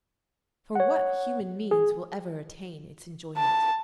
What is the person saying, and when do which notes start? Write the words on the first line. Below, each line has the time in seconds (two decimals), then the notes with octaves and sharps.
For what human means will ever attain its enjoyment?
0.75 C#5 F#5
1.71 G#4
3.37 A5